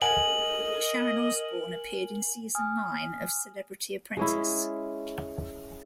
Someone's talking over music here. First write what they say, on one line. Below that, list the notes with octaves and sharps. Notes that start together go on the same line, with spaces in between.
Sharon Osbourne appeared in season nine of "Celebrity Apprentice".
A#4 D#5 F#5 G#5 F#7
G#5 D#6 F6
G#3 C#4 E4